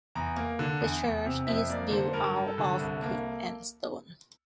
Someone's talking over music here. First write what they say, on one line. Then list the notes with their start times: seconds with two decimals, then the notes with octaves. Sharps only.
The church is built out of brick and stone.
0.15 E2 A#5
0.36 A#3
0.59 D3
0.81 E2
1.03 E2
1.25 C3
1.47 F2 E5
1.69 A#3 D5
1.91 D3 C5
2.13 G2 A#4
2.36 G2
2.47 A4
2.58 D3
2.79 C2
3.02 A#3